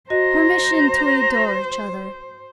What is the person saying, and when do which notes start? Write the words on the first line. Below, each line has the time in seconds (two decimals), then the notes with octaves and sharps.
"Permission to adore each other!"
0.10 F#4 C5 D#5 A#5